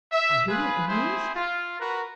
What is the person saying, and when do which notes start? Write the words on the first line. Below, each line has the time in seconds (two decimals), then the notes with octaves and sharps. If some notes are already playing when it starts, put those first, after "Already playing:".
"Are you in earnest?"
0.11 E5
0.48 F4 G#4 B4
0.89 C4 E4 G#4 C5
1.35 F4
1.80 F#4 A#4 B4